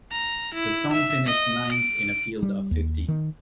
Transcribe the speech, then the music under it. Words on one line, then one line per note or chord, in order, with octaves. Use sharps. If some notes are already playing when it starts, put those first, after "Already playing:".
The song finished ninth in a field of fifteen.
A#5
E4
E5
D#5
D7
G3
D#2
D#3